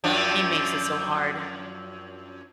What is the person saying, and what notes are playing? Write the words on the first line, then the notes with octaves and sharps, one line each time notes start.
He makes it so hard
F#2 F3 D4